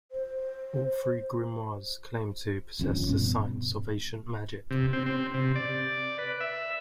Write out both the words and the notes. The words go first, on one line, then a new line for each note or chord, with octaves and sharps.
All three grimoires claim to possess the science of ancient magic.
C5
G1 F2 A#2 C#4
G2 B2
C3
C4
C4
C3
D5
B4
E5